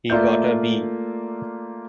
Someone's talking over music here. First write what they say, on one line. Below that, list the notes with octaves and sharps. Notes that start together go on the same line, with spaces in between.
He got a B.
A3 A#3 F4 D5 E5 G6